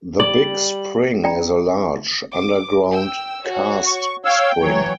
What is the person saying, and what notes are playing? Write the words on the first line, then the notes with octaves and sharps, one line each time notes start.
The Big Spring is a large, underground karst spring.
G3 D5 F#7
C#4 F4 D5 G5 A#5 B5
D6
G5 E6
F#4 C#5
C#6
C#5 F5 G5 E6
E3 F#3 C#5